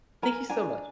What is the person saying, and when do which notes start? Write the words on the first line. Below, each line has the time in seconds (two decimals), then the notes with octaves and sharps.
Thank you so much.
0.22 A#4 G#5 A#5
0.49 D4 G#5 A#5